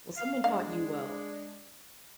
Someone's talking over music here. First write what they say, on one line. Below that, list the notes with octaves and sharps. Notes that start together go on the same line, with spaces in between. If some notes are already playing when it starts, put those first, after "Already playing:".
Well, someone taught you well.
F5
G#3 D4 F5